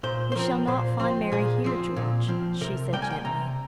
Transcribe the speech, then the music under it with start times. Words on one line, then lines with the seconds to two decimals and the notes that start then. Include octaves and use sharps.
"We shall not find Mary here, George," she said, gently.
0.03 A#2 C5
0.32 C5
0.35 F3 C4 A#4
0.67 A#2 C5
0.99 F3 C4 C5
1.32 A#2 G#4
1.64 F3 C4
1.96 A#2
2.28 F3 C4
2.61 C3 A#4
2.93 G3 A#3 G5
3.02 G#5
3.11 G5
3.25 C3 A#5